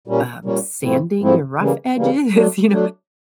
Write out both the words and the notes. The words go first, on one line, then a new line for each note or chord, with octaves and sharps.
um, sanding your rough edges, you know,
A#2 G3 A#3 C#4
A#2 G3 A#3 C#4
G#2 F3 A3 C4 E4
G#2 F3 A3 C4 E4
C#3 E3 G3 A#3
C#3 E3 G3 A#3
F#3 A3 D4
F#3 A3 D4